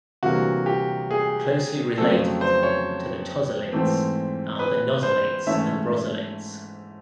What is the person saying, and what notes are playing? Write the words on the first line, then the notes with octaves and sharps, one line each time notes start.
Closely related to the tosylates are the nosylates and brosylates.
D2 C3 E3 G3 A#3 F#4
G4
G#4
F2 C#3 F#3 A3 C4 A4
C5
C#5
G#2 E3 A3 C4
B4
C5
G#2 E3 A3 C#4 E5